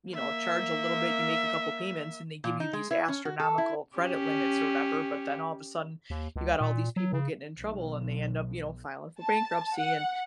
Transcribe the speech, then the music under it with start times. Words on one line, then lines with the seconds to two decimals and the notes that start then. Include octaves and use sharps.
you know, charge a little bit, you make a couple payments, and they give you these astronomical credit limits or whatever, but then all of a sudden, you got all these people getting in trouble, and they end up, you know, filing for bankruptcy, and,
0.11 A#3 E5
2.44 A#2
2.60 D#4
2.73 G#3
2.91 E4
3.08 C#4
3.25 F#4
3.40 A4
3.58 E4
3.97 C#4 G4
6.10 D#2
6.36 C#2
6.61 A#2
6.96 F#3
7.13 C#3
7.58 B1
9.20 A5
9.76 F#5